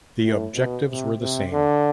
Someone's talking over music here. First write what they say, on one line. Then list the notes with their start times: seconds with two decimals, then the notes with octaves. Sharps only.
The objectives were the same.
0.22 A2
0.54 B2
0.87 C3
1.20 C3
1.52 D3